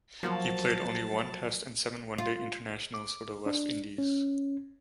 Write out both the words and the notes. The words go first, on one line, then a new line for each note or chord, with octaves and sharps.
He played only one Test and seven One Day Internationals for the West Indies.
F3 F#3 A#3 F#4 A5
F4
D6
D4
C#4